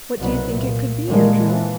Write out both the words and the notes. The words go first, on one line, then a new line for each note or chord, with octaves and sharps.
"What do you think it could be, Andrew?"
C2 B2 F#3 B3
A#2
A#2 D3 D#3 G3 G#3 A#3
E3 F3